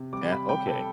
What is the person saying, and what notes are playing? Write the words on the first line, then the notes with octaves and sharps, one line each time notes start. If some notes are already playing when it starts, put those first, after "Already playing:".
Yeah? Okay.
Already playing: C3
G3 D6
B5
G3 G5
A4